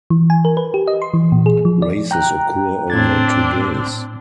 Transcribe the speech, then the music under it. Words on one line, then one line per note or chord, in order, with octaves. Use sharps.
Races occur over two days.
E3
G#5
A#4
B4
G4
D#5
C6
E3
A#2
G#4
F3
D5
G5 A#5 F#6
A2 C4 D4 G#6 A6